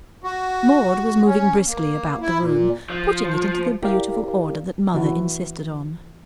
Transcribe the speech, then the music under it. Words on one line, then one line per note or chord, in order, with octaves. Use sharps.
Maude was moving briskly about the room, putting it into the beautiful order that Mother insisted on.
F#4
C#4
A#3
E4
A#2
F3
E4 G4 A#4 D5 F5
E3 E4 F#4